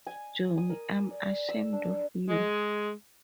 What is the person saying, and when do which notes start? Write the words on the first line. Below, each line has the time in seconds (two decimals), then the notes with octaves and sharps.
Jonny, I'm ashamed of you!
0.07 G#5
0.58 D#6
0.70 A#4
1.11 D5
1.49 E6
1.73 D4
2.28 G#3